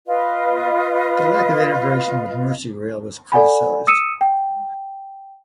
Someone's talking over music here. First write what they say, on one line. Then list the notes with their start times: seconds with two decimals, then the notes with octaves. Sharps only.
The lack of integration with Merseyrail was criticized.
0.07 F4 B4 D#5
3.32 A4 D5 F#5 G#5 B5
3.87 D#6 E6 C#7 D#7 E7
4.21 G5